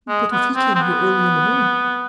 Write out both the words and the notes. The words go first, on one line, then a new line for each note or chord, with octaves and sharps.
But if he came here early in the morning.
G#3
B3
C4
C4
B3